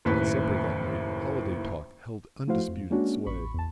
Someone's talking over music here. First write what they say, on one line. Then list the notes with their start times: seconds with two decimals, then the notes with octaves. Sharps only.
At supper that night, holiday talk held undisputed sway.
0.05 F#1 D#2 A2 B4 B6
2.47 F3 A3 E4 F#4 C5 F5
2.68 F2
2.90 G#3 A#3 C#4 D4 F#4
3.26 A1 B5 C#6
3.54 E2 A5